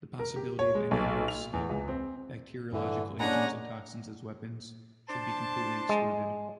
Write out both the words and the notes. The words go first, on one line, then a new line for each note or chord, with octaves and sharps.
The possibility of any use of bacteriological agents and toxins as weapons should be completely excluded.
A#4
G4
C#5
G#3
B1
F7
E2
C#2
C4
G2 D3 E3
G#3 A#3 C#4 D4 F#5 G#5 A#5
D4 C5 A5
G#3